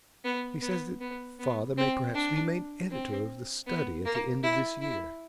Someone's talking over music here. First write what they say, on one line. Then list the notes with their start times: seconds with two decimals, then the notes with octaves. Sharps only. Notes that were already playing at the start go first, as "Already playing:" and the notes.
He says that father may perhaps be made editor of The Study at the end of this year.'
0.24 B3
0.62 B3
1.01 B3
1.39 B3
1.77 C4
2.15 D4
2.91 C4
3.67 B3
4.05 A#3
4.43 E4
4.81 E4